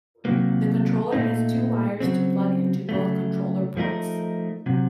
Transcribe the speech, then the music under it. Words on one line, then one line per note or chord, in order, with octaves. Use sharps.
The controller has two wires to plug into both controller ports.
C3 D#3 F#3 A#3
A#2 A3 D#4
C#3 F#3 C4
C#3 F#3 A3
F3 A3 D#4 A#4
C3 F#3